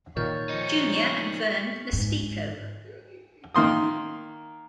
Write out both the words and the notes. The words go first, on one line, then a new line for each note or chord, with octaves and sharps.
Junior and Verne Lestico.
A#2 D#3 C#5 F6 G6 A6
F3 D#4 G6 C#7
C#6 D7 F#7
G#2
D#3 A#3 C6 D#6